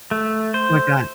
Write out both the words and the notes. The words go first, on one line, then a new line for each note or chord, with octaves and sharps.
Oh my god.
A3
C5